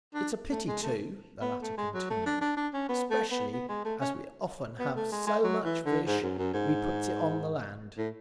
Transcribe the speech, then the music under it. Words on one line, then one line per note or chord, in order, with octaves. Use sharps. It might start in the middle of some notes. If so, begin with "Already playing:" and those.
"It's a pity too," the latter continued, "specially as we often have so much fish we puts it on the land."
D4
A3
G#3
A3
B3
A3
G#3
F#3
A3
D4
D4
D4
C#4
B3
A3
B3
B3
G#3
A3
C#4
B3
A3
G#3
G#3
F#3
E3
D3
G#2
F#2
F#2
G#2
A2